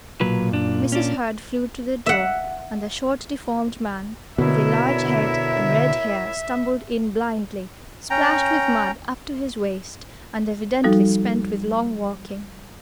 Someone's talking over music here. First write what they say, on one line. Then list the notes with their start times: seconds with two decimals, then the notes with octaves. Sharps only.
Mrs. Hurd flew to the door, and a short, deformed man, with a large head and red hair, stumbled in blindly, splashed with mud up to his waist, and evidently spent with long walking.
0.21 B1 A#2 F#3 B4
0.51 F#2 D4
0.92 C#4 D4
2.06 E5 F#5
4.38 B2 D3 E4 A#4 C#5 E5
8.10 C#4 G5 A#5
10.84 F3 G3 D#4 F#4 A4